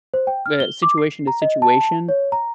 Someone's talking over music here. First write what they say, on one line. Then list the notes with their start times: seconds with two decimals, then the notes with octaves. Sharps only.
the situation to situation.
0.14 C5
0.27 G5
0.46 F6
0.60 G7
0.83 D6
0.98 C7
1.27 A#5
1.42 D#5
1.62 A5
2.09 C#5
2.32 A#5